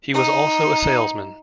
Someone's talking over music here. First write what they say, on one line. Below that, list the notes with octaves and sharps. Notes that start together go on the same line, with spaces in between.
He was also a salesman.
D#4